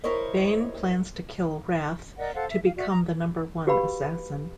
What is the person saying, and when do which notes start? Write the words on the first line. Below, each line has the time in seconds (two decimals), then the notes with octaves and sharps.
Bain plans to kill Rath to become the number one assassin.
0.04 E4 A#4 C5 C#5 D#5
2.18 A#4 D5 D#5 F#5
2.34 A4 C5 F5 F#5
2.49 E5
2.63 F5
2.76 F#4 D5 E5
2.88 A#5
3.67 F#4 G4 B4 F5 B5